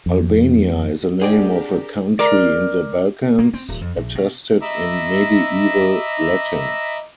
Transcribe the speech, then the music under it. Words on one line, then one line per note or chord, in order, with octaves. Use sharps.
Albania is the name of a country in the Balkans, attested in Medieval Latin.
F2
C4 D4 G4 G#4 A#4 D5 F#5 G5
A#4 D5
A#3
C4
D1
F2
A#1
B2
D#5 E5 A#5 B5 D6 E6